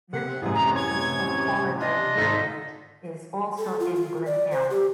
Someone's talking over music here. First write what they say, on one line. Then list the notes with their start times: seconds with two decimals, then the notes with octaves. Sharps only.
The main campus of College of DuPage is also in Glen Ellyn.
0.13 C3 F#5
0.42 A1 F#2 G#4
0.55 A#5
0.75 C#5 G#6
1.80 D4 F4 D#5
2.17 G#1 D#4 F4 A4 B6
3.58 A4
3.80 F4
3.96 F4
4.26 D5
4.51 C5
4.70 G4